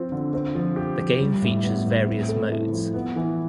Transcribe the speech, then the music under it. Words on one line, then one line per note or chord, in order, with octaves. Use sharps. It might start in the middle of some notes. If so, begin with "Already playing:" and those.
The game features various modes.
Already playing: F3 C4 F4
D3
C4
F3
G4
F3
G3
A2
B3
A2
C4
A4
E4
F3
B3
E3